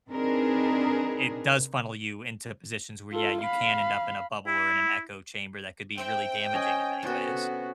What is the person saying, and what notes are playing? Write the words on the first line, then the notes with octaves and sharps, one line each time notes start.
i it does funnel you into positions where, yeah, you can end up in a bubble or in an echo chamber that could be really damaging in many ways.
C4 D4 D#4 G#4 A#4 B4
F4 A4
F5 B5
E4
C4 E5 G5 C6
C#4 D#5 G#5
C3 B3 F#4 A4